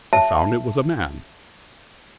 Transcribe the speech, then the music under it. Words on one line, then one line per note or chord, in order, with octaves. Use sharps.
I found it was a man.
E5 A5